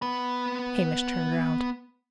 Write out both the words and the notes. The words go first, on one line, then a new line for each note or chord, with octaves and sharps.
Hamish turned round.
B3 B5